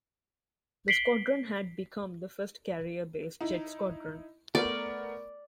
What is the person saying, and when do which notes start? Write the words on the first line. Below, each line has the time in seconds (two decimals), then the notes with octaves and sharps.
The squadron had become the first carrier-based jet squadron.
0.88 B6 C7 D7 F#7 G7
3.41 D#4 E4
4.55 A3 B3 A#4 D5